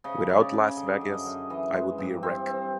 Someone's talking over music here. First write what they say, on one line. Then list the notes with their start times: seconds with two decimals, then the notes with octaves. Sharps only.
Without Las Vegas, I would be a wreck.
0.04 C#3 D#5
0.29 C#3 C#5
0.40 D5
0.53 C#3
0.77 D3 D#5
1.01 F#2
1.14 D#5
1.25 F#2
1.50 E3 D#5
1.74 G#3
1.98 G2
2.23 C4
2.47 C4